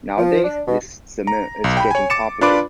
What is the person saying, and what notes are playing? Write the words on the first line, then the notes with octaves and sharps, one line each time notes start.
Nowadays, this summit is getting popular.
F3
D4
B2
A#5
B1
G5 B5
C#5 G#5
D6 A6 C#7 E7
D4 F4 B4 D5 B5 D6